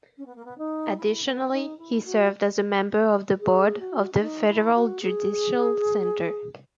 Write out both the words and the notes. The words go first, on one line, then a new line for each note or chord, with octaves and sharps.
Additionally he served as a member of the Board of the Federal Judicial Center.
C#4
B3
A#3
B3
D#4
E4
B3
D#4
E4
F#4
G#4
F#4
C#4
D#4
E4
F#4
G#4